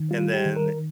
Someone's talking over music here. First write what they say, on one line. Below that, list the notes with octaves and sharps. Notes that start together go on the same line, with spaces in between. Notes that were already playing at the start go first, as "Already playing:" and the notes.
and then, eh
Already playing: D#3
G3 F4
G4
D#3
A#4